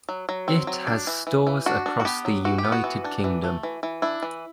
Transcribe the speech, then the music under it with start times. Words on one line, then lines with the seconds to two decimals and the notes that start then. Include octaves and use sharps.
It has stores across the United Kingdom.
0.09 F#3
0.29 F#3
0.48 C4
0.67 F#3
0.87 D4
1.07 E3
1.27 E3
1.47 E3
1.66 D4 F#4
1.86 D4
2.00 F#4
2.05 B3 G4
2.25 F#3
2.45 E3 F#4
2.58 G4
2.64 B3
2.72 F#4
2.84 E3
3.04 D4
3.24 E3
3.44 A3
3.63 E3
3.83 E3
4.02 D4 E4
4.23 E3